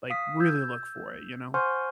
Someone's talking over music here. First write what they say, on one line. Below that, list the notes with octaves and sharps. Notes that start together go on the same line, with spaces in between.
like, really look for it, you know?
F5 D#6 B6
E6 G6 G#6
C5 F#5 G#5 C6 C#6 F6